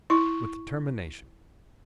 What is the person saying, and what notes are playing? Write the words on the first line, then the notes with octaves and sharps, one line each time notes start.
'With determination.
E4 C#6